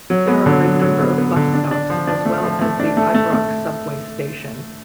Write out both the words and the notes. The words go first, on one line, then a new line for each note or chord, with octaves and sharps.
There are a number of bus stops as well as the Ibrox Subway station.
F#3
B3
D3
F#3
F#3
B3
B3
D3
D4
D4
F3
D4
A3
F3
A3
D4
A3
A3
A3